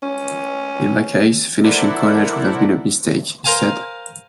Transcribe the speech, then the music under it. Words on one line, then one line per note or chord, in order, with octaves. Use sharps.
"In my case, finishing college would have been a mistake," he said.
C#4
E4 A4 A#4 C5 D5 F#5
A#4 C5 F5 G#5 A5